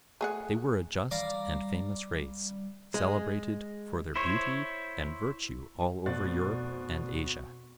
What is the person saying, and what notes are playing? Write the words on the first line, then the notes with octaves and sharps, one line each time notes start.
They were a just and famous race, celebrated for their beauty and virtue all over Europe and Asia.
A3 G#4 F#5
G3 D5 F5 A#5
G#3
E4 C5 C#5
F1 B2 C5 D5 F#6 A6